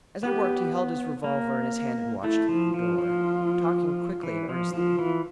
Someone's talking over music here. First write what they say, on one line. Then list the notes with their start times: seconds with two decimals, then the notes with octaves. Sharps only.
As I worked, he held his revolver in his hand and watched the door, talking quickly and earnestly.
0.23 B3 G4
1.24 A#3
2.23 A3 E4
2.49 F3
2.74 F3 F4
2.98 F3
4.23 E3
4.49 F3
4.73 F3 F4
4.99 E3